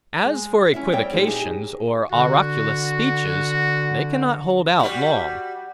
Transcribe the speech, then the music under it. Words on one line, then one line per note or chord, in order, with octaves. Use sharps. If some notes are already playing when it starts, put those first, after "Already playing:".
As for equivocations, or oraculous speeches, they cannot hold out long.
G#3
C#4 E4 E5
G3 C4 C#5 E5 G5
E2 A#2 G#3 D#4 E4
D#4 G4 G#4
D3 F#4
G3 F#4